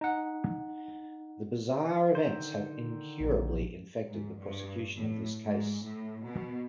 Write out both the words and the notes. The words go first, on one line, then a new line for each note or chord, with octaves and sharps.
The bizarre events have incurably infected the prosecution of this case.
D#4 F#5
D3 D#3 C5
A#1
G#2
G2
A2
G#2
A2
B2